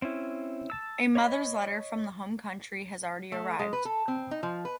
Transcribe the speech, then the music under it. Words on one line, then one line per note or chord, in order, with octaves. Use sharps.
A mother’s letter from the home country has already arrived.
C4 C#4 E4
A5 E6
C#5 D#5 B5
A3
G#3
B4
A4
C4
D#4
F3
B4